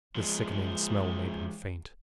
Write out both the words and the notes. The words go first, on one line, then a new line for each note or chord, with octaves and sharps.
The sickening smell made him faint.
F3 G#3